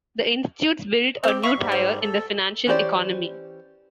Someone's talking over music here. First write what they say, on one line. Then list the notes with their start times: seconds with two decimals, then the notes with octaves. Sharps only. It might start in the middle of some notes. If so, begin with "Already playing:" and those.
The institutes built a new tier in the financial economy.
1.24 C4 G4
1.43 E5 F5 B5 C#6
1.56 G#2 G3
1.72 C5
2.01 A4
2.67 E3 C#4 G4 C5 D5